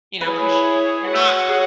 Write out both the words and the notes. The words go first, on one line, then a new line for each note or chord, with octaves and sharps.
you know, 'cause you're not
E4 G#4 B4 C#5
F#4 C#5 F#5
G#4